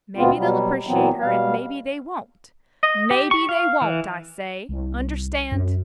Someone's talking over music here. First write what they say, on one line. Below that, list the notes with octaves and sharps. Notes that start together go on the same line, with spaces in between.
Maybe they'll appreciate her, and maybe they won't; maybe they won't, I say; Understand?
D2 B2 B3 C4 F4
B2 F#3 G3
A#2 E3 F#3 B3 C4
B2 G3 F5
D#5
G4
C#6
F5
E3
C2
F#2